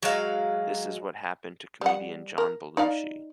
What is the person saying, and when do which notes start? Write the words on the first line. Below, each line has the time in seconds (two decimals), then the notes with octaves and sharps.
This is what happened to comedian John Belushi.
0.03 F#3 G#3 F5
1.81 G3 F#5
2.38 A#4
2.77 D#4 D5 F5